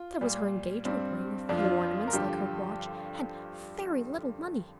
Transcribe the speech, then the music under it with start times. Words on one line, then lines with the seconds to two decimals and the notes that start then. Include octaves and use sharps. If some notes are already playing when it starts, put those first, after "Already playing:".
There was her engagement ring, a few ornaments like her watch, and very little money!
Already playing: F4
0.21 A#2 G3
0.85 G2 G3 C4
1.49 F2 F3 D4
1.58 F4
1.65 D4
1.81 F4
1.97 F4
2.07 A#4
2.13 G2 D3 F3 G4